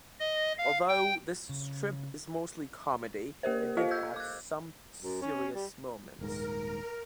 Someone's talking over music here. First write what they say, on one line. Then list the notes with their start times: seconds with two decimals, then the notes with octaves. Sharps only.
Although this strip is mostly comedy, it did have some serious moments.
0.20 D#5
0.58 F5
0.88 G5
1.49 C#3
3.43 A#3 G4 A#4 C5
3.77 F4 A4 C5 D#5 F5
3.91 E6 G6 G#6
4.16 D6 F#6
5.02 F#2
5.21 C#4
5.54 G3
6.19 D#1 G#2 A#4